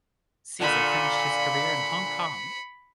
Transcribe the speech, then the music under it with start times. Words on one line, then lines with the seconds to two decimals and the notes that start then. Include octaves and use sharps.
Caesar finished his career in Hong Kong.
0.60 A#2 D3 B5 C#7